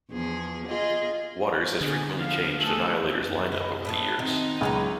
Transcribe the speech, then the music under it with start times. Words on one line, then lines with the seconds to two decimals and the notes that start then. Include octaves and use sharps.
Waters has frequently changed Annihilator's line-up over the years.
0.10 E2 F3 G#4
0.66 F4 G#4 D#5
1.81 D3 B3 G#4
2.16 F3 B3 F5
2.59 A3 G#4 A4
3.21 F#2
3.52 B3 D#5 F#5
3.85 A2 A3 B3
4.19 D#3 C4 D#4
4.61 C#2 F#3 B3 G#5 A#5